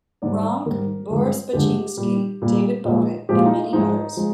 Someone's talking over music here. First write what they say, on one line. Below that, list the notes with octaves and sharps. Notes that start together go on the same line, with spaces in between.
Ronk, Boris Baczynskj, David Boggett and many others.
G#2 D#3 G3 D5
G#2 D#3 G3 A#4
G2 D3 F3 G#3
G2 D3 F3 G#3 G4
A#2 G3
A#2 G3
A#2 F3 G#3
A#2 F3 G#3 G4
F4
D#4
F4
G#2 F3 G#3 D#4
F3 G#3